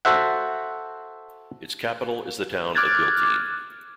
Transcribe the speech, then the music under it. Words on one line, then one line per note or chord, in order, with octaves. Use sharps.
Its capital is the town of Biltine.
F#4 A4 C5 E5 F#5
D6 F6 F#6 G#6 A6